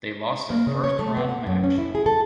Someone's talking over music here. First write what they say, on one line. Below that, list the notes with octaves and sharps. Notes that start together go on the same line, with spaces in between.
They lost their first round match.
A#3
C#3
C#5
A3
B3
F#5
F#2
C#4
E4
G#4
A4